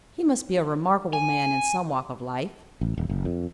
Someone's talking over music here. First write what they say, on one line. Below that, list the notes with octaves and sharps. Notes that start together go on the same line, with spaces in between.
He must be a remarkable man in some walk of life.
G#5
A1
D#1
F#1
F2